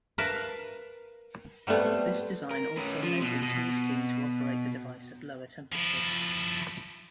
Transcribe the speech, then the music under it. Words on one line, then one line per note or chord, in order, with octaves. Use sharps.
This design also enabled Tour's team to operate the device at lower temperatures.
A#4 B4 E5 F5 A5 A#5
F#3 G3 A3 B3 C4
A#4
C#4 B4
F3
B2
B2
F3 E4